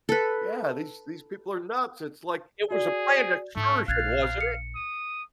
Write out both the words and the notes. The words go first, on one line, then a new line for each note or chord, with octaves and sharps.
Yeah, these these people are nuts, it's, like, "It was a planned excursion, wasn't it?"
A4 B4
F#4 G#4 D5
G#2 A3 D#4
A#1 F5 F#6 G#6 A6
C#7
D#6